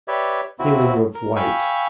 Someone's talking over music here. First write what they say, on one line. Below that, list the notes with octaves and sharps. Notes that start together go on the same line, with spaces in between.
Feeling of white.
G4 B4 C#5 D5 E5
D#2 C3 C4 E4 F#4
A#4
F5 G5 G#5 B5 C#6 E6